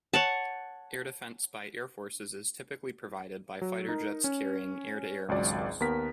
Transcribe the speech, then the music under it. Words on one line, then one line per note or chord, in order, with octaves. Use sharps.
Air defence by air forces is typically provided by fighter jets carrying air-to-air missiles.
C#5 F#5 A5
F#3
D#4 A#4
C#4
G#1 C#2 F#3 D5
D#2 B3 A#4 B6